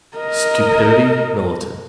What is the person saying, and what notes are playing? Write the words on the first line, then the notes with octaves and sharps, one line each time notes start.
Stupidity militant.
A#4 D#5